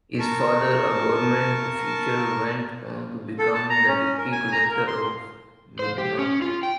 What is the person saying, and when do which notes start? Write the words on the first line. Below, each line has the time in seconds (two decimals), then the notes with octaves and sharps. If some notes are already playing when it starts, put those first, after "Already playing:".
His father, a government official, went on to become the Deputy Collector of Midnapur.
0.20 A#4 A5 C#6
3.39 A4
3.55 A5
3.70 A#5
3.88 C#4
4.18 A#4
4.32 G#5
4.52 A#5
4.71 A#4
4.87 C6
5.79 C5
5.98 G4
6.19 C#4
6.42 F4
6.63 G5